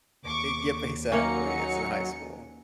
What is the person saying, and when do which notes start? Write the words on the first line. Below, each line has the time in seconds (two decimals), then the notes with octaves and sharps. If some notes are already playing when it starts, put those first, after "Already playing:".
A g exactly it's in high school.
0.25 D#2 C#6 D6
1.12 F#3 A#3 C#4 D#4 C#7